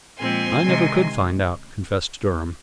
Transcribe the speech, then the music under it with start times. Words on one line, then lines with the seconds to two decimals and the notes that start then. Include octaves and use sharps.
"I never could find out," confessed Durham.
0.18 A#2 F3 G#3 C4 G#5 C6
0.61 C3 D#3 G#3